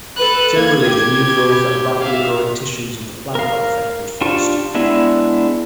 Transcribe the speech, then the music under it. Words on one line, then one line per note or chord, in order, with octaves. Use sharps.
Generally, the new growth and rapidly growing tissues of the plant are affected first.
A4 B4 F#6
A#3 G#6
G4
E5 F5
A#4 F5
D4 F4 G4 A5 C#6
G#3 B3 D4 E4